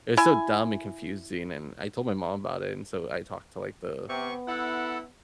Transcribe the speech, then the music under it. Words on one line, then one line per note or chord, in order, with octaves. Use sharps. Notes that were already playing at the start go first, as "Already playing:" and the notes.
it was so dumb and confusing, and I told my mom about it, and so I talked to, like, the
E4 G#5
C3 B3 C#6
E4 A4 F#5